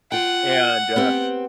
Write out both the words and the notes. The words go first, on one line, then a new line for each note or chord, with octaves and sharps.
and, uh,
F4 F#5 G5
B3 C4 G4